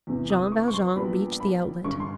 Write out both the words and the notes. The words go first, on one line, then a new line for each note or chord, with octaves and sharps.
Jean Valjean reached the outlet.
E2 C3 E3
D#6
C#6
C#6
C6
A#1 A#2 G3 B3 D4 B5
B5
A1 G2 D3 G3 C#6
C6